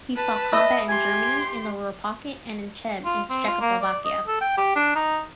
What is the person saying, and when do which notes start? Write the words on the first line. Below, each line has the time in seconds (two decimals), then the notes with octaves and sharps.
He saw combat in Germany in the "Ruhr Pocket" and in Cheb in Czechoslovakia.
0.16 B4 A5
0.53 D#5 E5 B5 E6
0.89 G4 G#5 C6
3.05 F4
3.30 C4
3.48 F4
3.61 A#3
3.81 D5
4.05 D#5
4.28 A4
4.41 G5
4.57 G4
4.76 D4
4.95 D#4